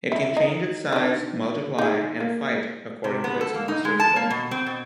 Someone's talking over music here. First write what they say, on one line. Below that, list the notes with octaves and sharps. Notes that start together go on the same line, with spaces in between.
It can change its size, multiply, and fight according to its master's whim.
E4
D#4
D#3 D4
D#4 G#4
A#3
C3
B3
A4
A#3
D#4
G#3
A5
A#3
B2
C4
B2